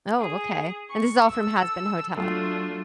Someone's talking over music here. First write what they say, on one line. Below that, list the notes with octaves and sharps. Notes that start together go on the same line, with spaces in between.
Oh, okay, and this is all from "Hazbin Hotel?"
G#4
C#6
A4 E6
F#3 A3 D4 F4